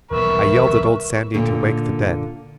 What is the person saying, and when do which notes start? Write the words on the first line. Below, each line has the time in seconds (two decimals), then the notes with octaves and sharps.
I yelled at Old Sandy to wake the dead.
0.11 D#1 B1 E3 A#4 B4 E5 C#6
1.34 A#2 D3